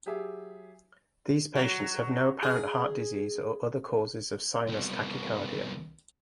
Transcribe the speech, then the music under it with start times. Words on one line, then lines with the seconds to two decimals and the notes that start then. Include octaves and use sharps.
These patients have no apparent heart disease or other causes of sinus tachycardia.
0.06 F#3 G4 G#4 E5
1.55 F#3
2.43 G#4
4.67 C2 B2